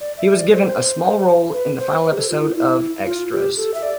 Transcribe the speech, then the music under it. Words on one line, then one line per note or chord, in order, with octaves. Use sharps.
He was given a small role in the final episode of "Extras".
D5
E5
D5
C5
B4
C5
B4
G4
A4
F4
E4
E4
F4
G4
A4
E5
D5